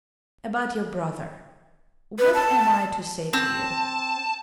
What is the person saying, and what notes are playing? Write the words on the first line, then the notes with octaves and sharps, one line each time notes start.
About your brother, what am I to say to you?
B4
A5
C4 A5